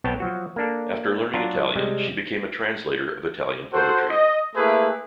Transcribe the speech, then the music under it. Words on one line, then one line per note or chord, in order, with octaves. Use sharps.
After learning Italian, she became a translator of Italian poetry.
B1 B3 C4 C#5 G5 A5
F3 F#3 F#4
A#3 D4 A4
F#3 D4 F4 A#5
C3 G3 G#3
F#4 A4 C5
D#5
A3 A#3 E4 G#4 B4